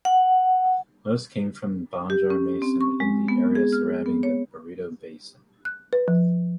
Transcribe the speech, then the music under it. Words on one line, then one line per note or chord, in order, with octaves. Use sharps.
Most came from Banjarmasin in the area surrounding the Barito basin.
F#5
G4
C#4
C4
C#6
G#3
B3
G#4
F6
B3
C#5
F#6
B4
F3